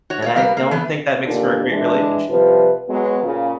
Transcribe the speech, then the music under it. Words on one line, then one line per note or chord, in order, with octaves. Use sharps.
and I don't think that makes for a great relationship.
F#4 C#5
C#5 D5 F5
F#3 G3 A#4 B4 F5
A#3
E3 A3 B3
D#2 A#2 D3 D#3 D4
E3 G#3 D4
C3 F3 G3 B4
F#3 G#3 B3
A#2 C#3